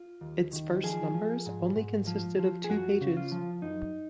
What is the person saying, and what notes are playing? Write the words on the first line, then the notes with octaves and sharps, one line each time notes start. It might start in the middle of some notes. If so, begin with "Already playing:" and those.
Its first numbers only consisted of two pages.
Already playing: F4
D#2
D#3
F3 G#4
F3
G#2
G#2
F3
F3
G#4
F#2 F#4
C#3
F4
F3
F#2 D#4